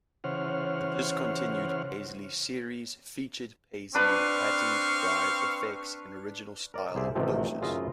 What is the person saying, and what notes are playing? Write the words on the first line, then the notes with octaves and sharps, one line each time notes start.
The discontinued Paisley series featured paisley-patterned drive effects in original style enclosures.
C#3 E3 C5 C#5 F#5 F6
C4 D4 B4 F5 C#6
A#4 D5
C2 G#4 C5 D5 E5
A1 C3 D#3 F3 A3
F#2 C#3 F4 D#5 E5